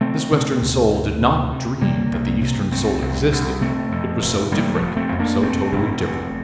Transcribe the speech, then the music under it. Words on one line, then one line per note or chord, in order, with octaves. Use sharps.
This Western soul did not dream that the Eastern soul existed, it was so different, so totally different.
C3 A3 C4
C3
D2
D2
C3
C3
C3 G3 A#3
C2
C3
C2 A3 C4
C2
C2
C3 A3 C4
F2
F1
F1 G3 A#3
A#3
F3 A3
F1
A3 C4
F2
A#3 D4
F1 A3 C4
F1
E2